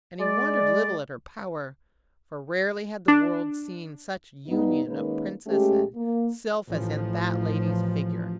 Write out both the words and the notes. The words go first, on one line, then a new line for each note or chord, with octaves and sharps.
And he wondered little at her power, for rarely had the world seen such union of princess and sylph as in that lady's figure.
G#3 D5
D4
G2 B3 D#4
D#3 G#3 A#3 C#4 D#4 B4
G#3 A3 C#4 G4
A#3
A1 F3